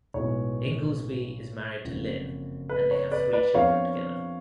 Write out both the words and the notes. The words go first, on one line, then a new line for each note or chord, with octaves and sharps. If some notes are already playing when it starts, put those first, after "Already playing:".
Inglesby is married to Lynn and they have three children together.
B1 A2 G#3 B3 C#5
F#1 F2 C#3
B4
C#5
B4 D5
B4 D5
F2 F3 B3 D4 C#5 F5